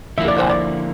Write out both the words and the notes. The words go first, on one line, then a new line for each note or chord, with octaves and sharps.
for that?
D3 F3 A#3 E4 E5
D5
C5
D5